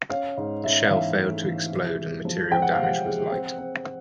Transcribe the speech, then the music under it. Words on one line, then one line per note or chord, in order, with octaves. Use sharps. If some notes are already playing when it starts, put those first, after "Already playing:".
The shell failed to explode and material damage was light.
C#4 F5
G#2
C#4 E5
F5
E3 E5
A3
E3
C3
G#3
F3
C4 G5
F#5
C3 F5
F#5
G#3
C4
C4